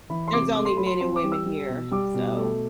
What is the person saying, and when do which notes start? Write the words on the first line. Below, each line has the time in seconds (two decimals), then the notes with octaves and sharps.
There's only men and women here. So
0.10 E3 B5
0.28 C6
0.33 C3 D6
0.55 A3 D6
0.65 C6
0.77 F#3 B5
0.86 C6
1.00 C4 C6
1.16 D6
1.24 G3
1.32 E6
1.46 G3
1.69 B2
1.91 G3 D6
2.14 B2
2.37 A3